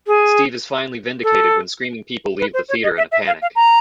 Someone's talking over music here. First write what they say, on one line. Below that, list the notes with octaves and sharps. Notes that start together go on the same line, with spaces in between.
Steve is finally vindicated when screaming people leave the theater in a panic.
G#4
A4
B4
C5
C#5
D#5
E5
E5
F5
F5
A#5